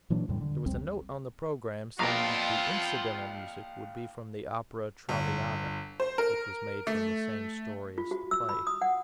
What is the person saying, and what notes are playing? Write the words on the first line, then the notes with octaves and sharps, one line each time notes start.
There was a note on the programme, saying that the "incidental music" would be from the opera "Traviata," which was made from the same story as the play.
A#2 E3 F#3 D4
E2 A2 C3 G3
D3
A#1 D#2 G3 C4
A#1 B3 C4 F4 F5 G5 A#5
G1
C5
A#4
A3
F4
F#4
E6
B5
D#6
F#5